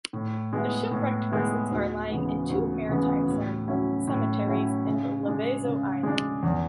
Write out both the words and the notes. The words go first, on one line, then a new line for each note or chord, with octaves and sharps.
The shipwrecked persons are lying in two maritime cemeteries in the Lavezzo island.
A2
G#3 B3 E4
A2
G#3 B3 E4
D2
C#3 E3 G#3 B3
D2
C#3 E3 G#3 B3
A2
F#3 C#4 E4
A2
F#3 C#4 E4
C#3
G#3 D4
C#3
G#3 D4
E2